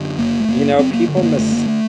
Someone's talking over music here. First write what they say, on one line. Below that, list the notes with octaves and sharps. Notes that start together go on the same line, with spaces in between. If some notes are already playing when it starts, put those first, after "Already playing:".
You know, people mis
Already playing: F#2 D3
F#1 A#3
A3
F#1 A#3
F#2 C4
A#3
D3
A3
A#3
F#1 A3
A#3
A3